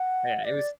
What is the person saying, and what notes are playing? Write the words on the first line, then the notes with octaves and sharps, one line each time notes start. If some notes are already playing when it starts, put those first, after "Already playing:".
Yeah, it was
Already playing: F#5
D5